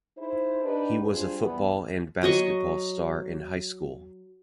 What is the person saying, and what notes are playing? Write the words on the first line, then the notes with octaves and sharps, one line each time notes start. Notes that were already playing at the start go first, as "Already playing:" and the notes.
He was a football and basketball star in high school.
D#4 E4 G#4 C5
D4 D#4 G4 B4
G3 C4 D4 F4 G#4
E3 G3 B3
F#3 D#5 C#6